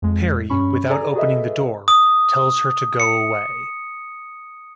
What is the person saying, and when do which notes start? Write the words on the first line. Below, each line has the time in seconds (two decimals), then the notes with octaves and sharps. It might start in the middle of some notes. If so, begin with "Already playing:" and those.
Parry, without opening the door, tells her to go away.
0.02 F2 G#3
0.50 G2 C#4 B5 C#6
0.89 G#4 A4 D5 G#5 A#5
1.15 F#4 G#4 A4 B4 D#5 E5
1.88 D#6
3.00 C#7